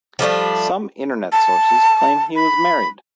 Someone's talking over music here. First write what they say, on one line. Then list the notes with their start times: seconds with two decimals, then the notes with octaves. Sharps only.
Some internet sources claim he was married.
0.19 F3 G3 A3 D4
1.32 A5
2.36 B5